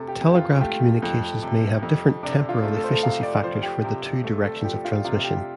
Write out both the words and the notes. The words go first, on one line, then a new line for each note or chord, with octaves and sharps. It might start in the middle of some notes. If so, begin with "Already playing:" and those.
Telegraph communications may have different temporal efficiency factors for the two directions of transmission.
Already playing: C3 A3 A4
G4
F2
F4
A3 G4
F2
C3
F2
C3 D4
F4
A3
A4
C5
A4
C3 F5
D5
F3 C5
G4
C3
A3
A4
F3 G4
F4
C3 F4
G4